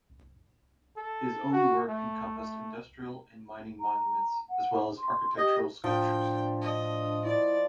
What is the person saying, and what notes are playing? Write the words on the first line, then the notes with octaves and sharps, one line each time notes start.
His own work encompassed industrial and mining monuments as well as architectural sculptures.
A4
F#4
A3
A3
A#5
F#5
C6
G4 D#5
A2 F3 D4 G5
D#5
E4 D5